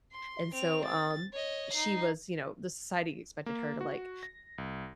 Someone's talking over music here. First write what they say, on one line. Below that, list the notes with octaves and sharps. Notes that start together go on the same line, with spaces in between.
And so, um, she was, you know the society expected her to, like,
C6
C4 F7
A6
C#5 D#5
D#4 C7
A#3
F#4
A#6
C2